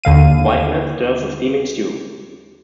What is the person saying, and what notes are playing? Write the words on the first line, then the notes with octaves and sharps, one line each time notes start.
Whiteman stirs the steaming stew.
D#2 D3 F5 D#7